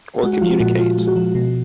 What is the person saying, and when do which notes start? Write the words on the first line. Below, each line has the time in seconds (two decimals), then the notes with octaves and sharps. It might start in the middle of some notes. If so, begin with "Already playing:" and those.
Or communicate.
0.23 G#3 F#4
0.33 F#4
0.41 F3 F4
0.60 A#2 F#4
0.79 A#2 F4
0.98 G#3
1.08 F#4
1.16 F3
1.35 B2